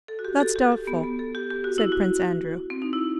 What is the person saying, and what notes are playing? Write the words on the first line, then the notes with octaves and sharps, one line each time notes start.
"That is doubtful," said Prince Andrew.
A4
F#4
G4
A4
G4
G4
B3
B3
A4
G4
G4
F#4
E4
F#4
C4
D#4
E4